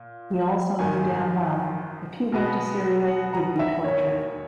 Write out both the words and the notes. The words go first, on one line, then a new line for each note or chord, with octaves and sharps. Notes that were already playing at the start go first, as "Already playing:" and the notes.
We also knew damn well, if he went to Syria, he'd be tortured.
Already playing: A#2
G#1 F#2 D#3 A#3 G#5
B2 G#3 B3 F#4 B4
F#5
A#5
E5
E1 D#2 D#3 A#3 C#5